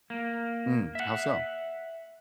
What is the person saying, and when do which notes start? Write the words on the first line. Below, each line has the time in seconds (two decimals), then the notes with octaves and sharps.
Hmm, how so?
0.10 A#3
0.95 E5 F#5